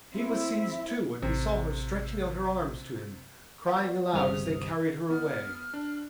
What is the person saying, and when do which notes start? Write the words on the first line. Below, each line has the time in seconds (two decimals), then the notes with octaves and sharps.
She was seized too, and he saw her stretching out her arms to him, crying aloud as they carried her away.
0.13 C4 E4 E5
1.22 A1 C3
3.67 B3 F#4
4.13 G1 C#2 C3 D#6 F6
5.10 B3 F6
5.74 D4